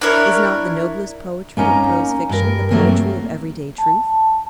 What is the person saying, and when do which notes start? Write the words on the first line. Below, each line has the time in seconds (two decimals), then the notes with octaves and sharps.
Is not the noblest poetry of prose fiction the poetry of every-day truth?
0.01 D4 E4 A#4 C#5
1.57 A#3 C#4 D#4 A#5
2.30 G2 A#4
2.71 G2 F#3 A3 A#3 C4
3.78 A5